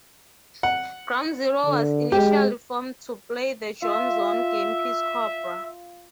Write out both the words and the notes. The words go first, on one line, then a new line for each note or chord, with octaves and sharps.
Ground-Zero was initially formed to play the John Zorn game piece Cobra.
F#5
D3
G#3 G4
F4 E5